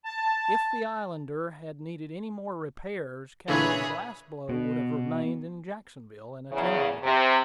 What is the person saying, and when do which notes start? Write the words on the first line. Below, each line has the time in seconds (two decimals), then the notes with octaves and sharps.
"If the Islander had needed any more repairs, Captain Blastblow would have remained in Jacksonville and attended to them."
0.05 A5
3.48 A#2 D3 E3 G#4 B4 C#5 E5 B5
4.49 B2
6.52 E2 C#3
7.03 C3